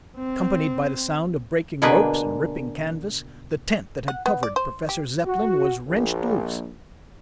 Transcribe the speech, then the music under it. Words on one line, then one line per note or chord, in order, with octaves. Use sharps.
Accompanied by the sound of breaking ropes and ripping canvas, the tent that had covered Professor Zepplin was wrenched loose.
C4
B2 D3 A#3 D4 G#4 B4
F#5
B3
D5
C5
G4
F#4
A#1